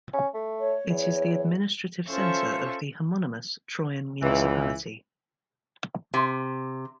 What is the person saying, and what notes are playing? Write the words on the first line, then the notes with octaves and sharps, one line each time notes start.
It is the administrative centre of the homonymous Troyan Municipality.
C#4
A3
C#5
E2
C#4 F4 A4 C5 E5 C#6
C#2 E3
C3